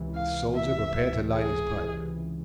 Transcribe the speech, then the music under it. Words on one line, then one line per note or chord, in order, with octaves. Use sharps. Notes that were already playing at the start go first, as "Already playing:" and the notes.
The soldier prepared to light his pipe.
Already playing: C#2 C3 E3
F5
E5
G#4